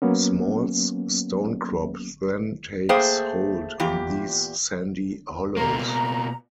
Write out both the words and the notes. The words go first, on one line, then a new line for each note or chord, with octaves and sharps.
Small's stonecrop then takes hold in these sandy hollows.
F#3 A#3 B3 C#4
A3 A#3 G#4 C5 G5
E2 A#2 G4
B2 A#3 A#5